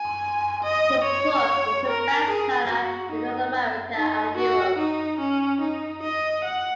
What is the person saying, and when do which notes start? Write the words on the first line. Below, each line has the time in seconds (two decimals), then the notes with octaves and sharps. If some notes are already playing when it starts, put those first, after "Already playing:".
The book was a bestseller in North America and Europe.
Already playing: G#5
0.63 D#5
1.05 C#5
1.87 A#4
2.29 G#4
2.71 F#4
3.12 D#4
3.95 D#4
4.37 F#4
4.78 D#4
5.20 C#4
5.62 D#4
6.03 D#5
6.45 F#5